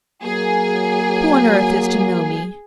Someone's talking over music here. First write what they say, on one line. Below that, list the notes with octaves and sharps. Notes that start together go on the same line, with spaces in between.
Who on earth is to know me?'
F#3 A#3 G#4